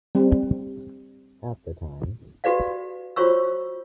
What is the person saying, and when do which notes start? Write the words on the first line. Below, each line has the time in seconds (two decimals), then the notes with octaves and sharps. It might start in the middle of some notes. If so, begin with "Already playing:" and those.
At the time.
0.15 G3 C4
2.44 F#4 G4 B4 D5 F5
3.16 F4 F#4 C5 C#5 C#6 E6